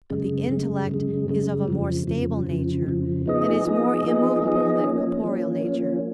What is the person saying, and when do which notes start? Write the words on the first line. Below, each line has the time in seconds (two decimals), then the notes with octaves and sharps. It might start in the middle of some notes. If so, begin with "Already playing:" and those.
But the intellect is of a more stable nature, and is more immovable than corporeal nature.
0.10 F#2 C#3 G#3
0.50 F#2 C#3 G#3
0.89 F#2 C#3 G#3
1.28 F#2 C#3 G#3
1.68 F2 C#3 F3
2.07 F2 C#3 F3
2.47 F2 C#3 F3
2.87 F2 C#3 F3
3.26 F3 B3 D#4 G#4 D#5
3.65 F3 B3 D#4 G#4 D#5
4.05 F3 B3 D#4 G#4 D#5
4.45 F3 B3 D#4 G#4 D#5
4.84 F3 A#3 C#4
5.24 F3 A#3 C#4
5.63 F3 A#3 C#4